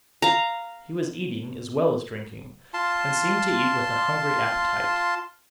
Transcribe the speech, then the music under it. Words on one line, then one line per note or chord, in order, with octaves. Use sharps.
He was eating as well as drinking, and seemed to eat with a hungry appetite.
F5 A#5
F4 A5 C6